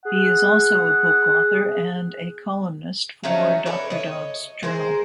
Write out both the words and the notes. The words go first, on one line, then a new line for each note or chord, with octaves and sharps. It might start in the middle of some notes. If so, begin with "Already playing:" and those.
He is also a book author and a columnist for Doctor Dobb's Journal.
G#4 F#5
F#3 A3 C#4 D#4
A4 B4 C#5 D5
C#5 D#5
G#3 A#4 C5